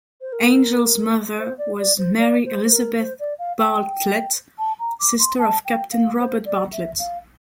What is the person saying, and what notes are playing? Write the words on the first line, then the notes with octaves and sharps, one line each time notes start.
Angel's mother was Mary Elizabeth Bartlett, sister of Captain Robert Bartlett.
C5
A#4
C5
D5
D5
C5
D5
C5
C5
A#4
C5
D5
F5
G5
A5
A#5
D6
C6
A5
G5
F5
C5
D5
E5
F5